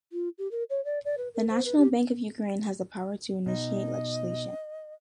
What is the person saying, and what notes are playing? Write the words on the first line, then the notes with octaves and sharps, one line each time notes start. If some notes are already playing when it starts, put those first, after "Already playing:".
The National Bank of Ukraine has the power to initiate legislation.
F4
G4
A#4
C#5
D5
D5
B4
A#4
C5
B4
G4
B2 D#4 D#5